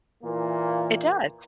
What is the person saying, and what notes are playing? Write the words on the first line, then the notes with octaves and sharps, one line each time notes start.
It does.
A#2 E3 A#3